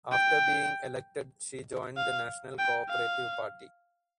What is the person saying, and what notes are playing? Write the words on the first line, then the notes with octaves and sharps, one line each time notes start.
After being elected she joined the National Cooperative Party.
G5
F5
G5
F5